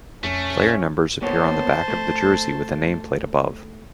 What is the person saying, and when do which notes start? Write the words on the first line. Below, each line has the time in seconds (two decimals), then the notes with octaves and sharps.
Player numbers appear on the back of the jersey with a nameplate above.
0.23 F2 A3 C#4
1.22 A#3 B3 C5 C#5 A5
1.88 A3